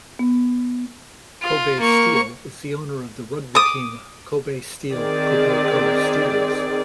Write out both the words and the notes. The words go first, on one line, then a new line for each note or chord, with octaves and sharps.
Kobe Steel is the owner of the rugby team Kobe Steel Kobelco Steelers.
B3
F4
A#3 C#6
D6 D#6
D#3 C4 G#4 D5